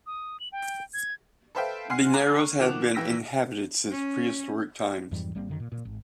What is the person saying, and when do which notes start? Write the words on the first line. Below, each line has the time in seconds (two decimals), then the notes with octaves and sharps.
The narrows have been inhabited since prehistoric times.
0.07 D#6
0.40 F#7
0.52 G5
0.94 G#6
1.55 A4 B4 C5 E5 F5 G5
1.90 F#5 G#5 C6 F6 C7
2.13 G#5 A#5 D6 F#6
2.40 C#6
2.60 D#3 F3 F#4 D6 F#6 F7
2.94 A#1 E3 G5 E6 A#6 B6
3.91 C#4
5.11 F2 G#2 E3 G3
5.35 G#1 G3 A#3 C4
5.48 F#2 D3 D#3
5.60 A#2
5.72 A#2
5.85 G#1